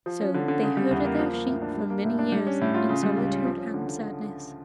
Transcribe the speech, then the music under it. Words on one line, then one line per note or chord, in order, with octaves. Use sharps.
So they herded their sheep for many years in solitude and sadness.
F3
C#4
D3
D3
C#3
G3
E2
A#3
F3
A#3
A2
D4
G3
A#3
A2
D4
G3
C#4
A2
F4
C#3
G3
C#2
C#4
F3
C#4
D3
D3